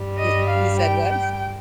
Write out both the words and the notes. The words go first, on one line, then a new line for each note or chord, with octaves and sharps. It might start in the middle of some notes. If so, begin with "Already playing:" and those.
You you said what?
Already playing: G2 G3
D#5
F5
G5
G5